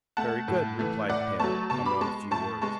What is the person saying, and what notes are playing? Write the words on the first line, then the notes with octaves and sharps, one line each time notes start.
"Very good," replied Pim, a man of few words.
A3 F#5 A5
A2
E3 A3
A2 D5 F#5
F#3 A3 A5 C#6
B2 A5 C#6
B5 D6
G#3 A5 C#6
A2 A5 C#6
G#3 A5 C#6